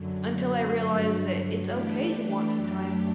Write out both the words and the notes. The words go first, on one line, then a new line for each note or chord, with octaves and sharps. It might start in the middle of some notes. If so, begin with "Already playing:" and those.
until I realize that it's okay to want some time
Already playing: F#2 D3 F#3
G2 D3 F#3
E3 A3 D4 G4
F#2 F#3 A3 D4 G4